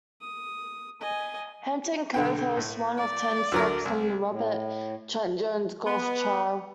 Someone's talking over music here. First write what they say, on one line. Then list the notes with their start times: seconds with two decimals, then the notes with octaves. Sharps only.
Hampton Cove hosts one of ten stops on the Robert Trent Jones Golf Trail.
0.21 D#6
1.01 D#5 G#5
2.14 B1 D3 G5
2.57 A2
2.98 D5
3.52 D2 F#3 A#4
3.85 C2
4.31 A2
5.86 B3